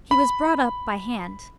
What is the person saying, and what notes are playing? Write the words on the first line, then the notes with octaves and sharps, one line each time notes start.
He was brought up by hand.
B5